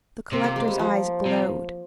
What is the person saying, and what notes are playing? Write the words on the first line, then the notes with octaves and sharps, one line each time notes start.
The collector's eyes glowed.
C3 C4
A#3
G#3
G3
F3
C3